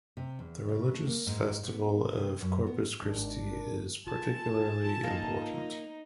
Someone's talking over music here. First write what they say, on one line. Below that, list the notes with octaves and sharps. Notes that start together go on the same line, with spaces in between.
The religious festival of Corpus Christi is particularly important.
C3
E2
C#3
A3
A#3
G#2
B3
C3
F#2
B3
G#1 D#3 D4
A#4
F4 A4 G#5 A5
A#3 D#4